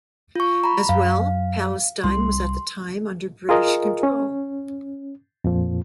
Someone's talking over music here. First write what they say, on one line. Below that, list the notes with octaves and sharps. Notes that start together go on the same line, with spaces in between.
As well, Palestine was at the time under British control.
F4 C#6
A#5 B5
F#2 F5
C2 G3 C6
F4 G#4 A#4 D#5
C#4
F2 A#2 F3